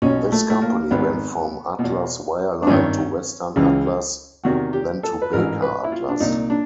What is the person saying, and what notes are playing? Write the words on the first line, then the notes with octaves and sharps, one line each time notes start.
This company went from Atlas Wireline to Western Atlas then to Baker Atlas.
B1 B2 C#4
A3
A3
A#3
G#1 G#2 D#3 B3
B2
E2
D4
G#1 G2 D#3 C#4
C#2 C#3 E3
E2 C3 D#3 F#4
G4
A4
B4
A1 G#2 E3 A#4
B4
E4
F4
D4
C2 A#2 D#4
D4